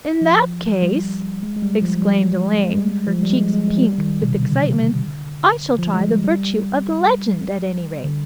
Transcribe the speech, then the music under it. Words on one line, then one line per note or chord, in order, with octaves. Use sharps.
"In that case," exclaimed Elaine, her cheeks pink with excitement, "I shall try the virtue of the legend, at any rate."
F3
G3
G#3
G#3
G3
F3
G3
G#3
G3
F3
G3
G#3
G3
G#3
G#3
F3
G3
D#3
B2
C3
D3
F3
G#3
G3
G3
D3